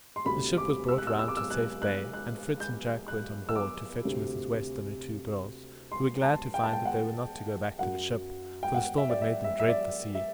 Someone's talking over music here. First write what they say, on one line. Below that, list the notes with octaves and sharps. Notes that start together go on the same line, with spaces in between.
The ship was brought round to Safe Bay, and Fritz and Jack went on board to fetch Mrs. West and her two girls, who were glad to find that they were not to go back to the ship, for the storm had made them dread the sea.
C6
D2 C3 G3 B5
D6
E6
F#6
E6
E6
D6
E6
F#6
F#6
F#6
G6
F#6
E6
D6
D2 C3 G3
C6
A5
G5
A5
G5
F#5
F#2 F#3 F#5
G5
F#5
E5
D5
E5
E5
E5
D5
E5